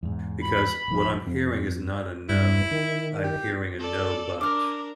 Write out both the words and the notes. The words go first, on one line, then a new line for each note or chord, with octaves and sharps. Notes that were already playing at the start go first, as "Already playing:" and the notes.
because what I'm hearing is not a no. I'm hearing a no, but.
E2 G#2
B5
D#1 F3
F2
G2 E4
D#3
G4
A4 D5
D4 A#4 D6 F6